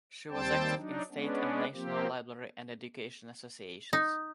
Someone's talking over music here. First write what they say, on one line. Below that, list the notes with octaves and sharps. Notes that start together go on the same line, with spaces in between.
She was active in state and national library and education associations.
D#2 G3 C4 C5 G5 A5
F#3 D4 D#4
G#3 B3 C#4 D4
F3 A#3 C4 G4
D#4